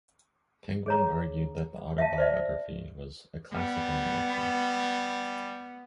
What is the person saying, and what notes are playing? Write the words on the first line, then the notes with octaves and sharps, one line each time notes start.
Penguin argued that the autobiography was "a classic in the making".
G#4 C#5 A#5
E5 F5 A5
C5 D5 E5
G3 B3